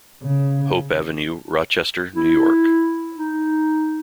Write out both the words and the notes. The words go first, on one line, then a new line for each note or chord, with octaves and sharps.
Hope Avenue, Rochester, New York.
C#3
E4
D#4